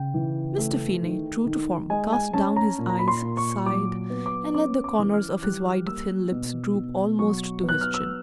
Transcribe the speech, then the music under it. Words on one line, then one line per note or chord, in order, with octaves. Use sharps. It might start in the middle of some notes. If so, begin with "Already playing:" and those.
Mr. Finney, true to form, cast down his eyes, sighed, and let the corners of his wide thin lips droop almost to his chin.
Already playing: C#3 G5
E3
A3
D#3
D#3
G#3 G#5
G#5
C#4 A5
A#5
A#2
A#5
B5
C6
A#2
C#6
F#3 D6
B3
D6
C#4 D6
D6
E3
F6
G3 F#6
A#3 E6
B2
B2
F#3 C#6
B3
F#6
F6
E6